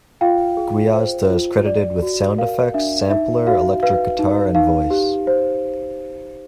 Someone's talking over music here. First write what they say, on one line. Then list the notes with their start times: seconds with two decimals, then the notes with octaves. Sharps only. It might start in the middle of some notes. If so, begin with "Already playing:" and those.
Gwiazda is credited with sound effects, sampler, electric guitar and voice.
0.21 F4 F5 G5
0.57 G#4
0.93 C5
1.30 F4
1.66 D5
2.02 F#4
2.38 A#4 F5
2.74 D4 E5
3.10 D#4 E5
3.47 F#4 F5
3.83 B4 F5
4.19 D#4
4.55 D#4 F5
4.90 G4
5.27 C5